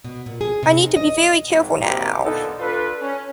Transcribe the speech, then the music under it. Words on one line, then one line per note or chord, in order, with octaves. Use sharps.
I need to be very careful now.
B2
A#2
G#4
C3
D#4
D#5
G#1
D#3 F#3 A#3 C4 E4 G4
A#2 D3 B3 D#4 A4
D4 F4 A4 B4
C#4